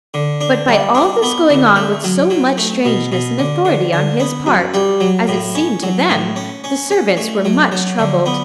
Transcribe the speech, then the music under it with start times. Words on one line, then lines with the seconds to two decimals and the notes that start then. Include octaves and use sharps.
But by all this going on with so much strangeness and authority on his part, as it seemed to them, the servants were much troubled.
0.14 D3
0.41 D4
0.68 G3
0.94 D4
1.22 B3
1.50 D3
1.76 A3
2.04 F#3
2.30 F#3
2.58 A3
2.85 B2
3.12 B2
3.39 D3
3.65 D3
3.93 D3
4.20 B3
4.46 F#2
4.74 G3
5.00 F#3
5.28 A2
5.55 C#4
5.83 F#3
6.09 A2
6.36 C#4
6.64 C#4
6.90 C#4
7.17 A3
7.45 F#3
7.72 F#3
7.99 D3
8.26 B3